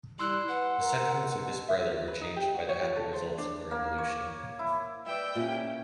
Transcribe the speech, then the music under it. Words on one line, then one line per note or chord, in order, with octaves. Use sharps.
The sentiments of this brother were changed by the happy results of the revolution.
G3 E4 C6 E6 F#6
B4 F#5
A#4
B2
E5
F4
B4
D#4
G4
F#4
C#5
F4
A4
C5
B4
D4
A#3
C#5
E4
B4 D5 E5 G5 E6
A#2 C#4 E4 F4 G4